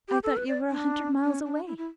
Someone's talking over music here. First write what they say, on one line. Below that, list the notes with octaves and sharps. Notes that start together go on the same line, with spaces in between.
I thought you were a hundred miles away.
G4
A4
B4
D5
D4
C#4
D4
E4
E4